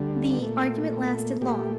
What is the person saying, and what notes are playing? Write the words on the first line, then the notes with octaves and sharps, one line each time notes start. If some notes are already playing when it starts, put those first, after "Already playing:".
The argument lasted long.
Already playing: D2 D3 G3
A#2 A3
A#2 A3 G4